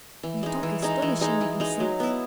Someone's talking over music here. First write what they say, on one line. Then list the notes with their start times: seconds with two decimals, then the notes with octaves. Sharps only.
You talk astonishingly good sense.
0.23 E3
0.43 G#3 D#4
0.63 E3
0.82 G#3 D#4
1.02 E3
1.21 G#3 D#4
1.41 E3
1.60 G#3 D#4
1.80 F#3
2.00 B3 E4